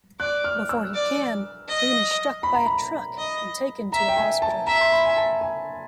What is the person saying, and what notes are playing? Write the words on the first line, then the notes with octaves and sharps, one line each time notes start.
Before he can, Boone is struck by a truck and taken to a hospital.
D5 F#6
F6
E6
D5
D#5
B5
A#5
B5
D#5
E5 A#5
G5
G#5
A5
E5 A#5
C6
B5
G#5
A5
G#5